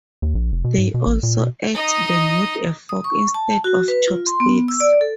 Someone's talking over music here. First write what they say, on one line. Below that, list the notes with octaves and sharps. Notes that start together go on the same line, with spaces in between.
They also ate them with a fork instead of chopsticks.
D#2
A#1
F1
B2
G#2
B2
A1
A#2
B2
D#4 D#5
D#6
C#6
A5
F#4
B4
F4
C6
B3
E6
D5
A4